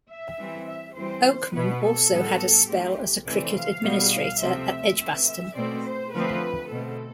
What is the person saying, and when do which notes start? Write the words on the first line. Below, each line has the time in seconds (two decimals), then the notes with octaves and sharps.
Oakman also had a spell as a cricket administrator at Edgbaston.
0.09 E5
0.38 E3 G3 C4
0.67 E5
0.95 E3 G3 C4 C5
1.53 B2 B3 B4
1.82 A4
2.11 A2 G3 B3
2.68 E3 A3 C4 G4
3.25 C3 E3 A3 C4 D5
3.55 F5
3.83 B2 G3 B3
4.12 F5
4.41 C3 F3 A3 C4 E5
4.98 E3 A3 C4
5.27 E5
5.55 B2 A3 C4 D5
5.84 C5
6.12 D3 F3 A3 C4 B4
6.70 B2 A3 C4 A4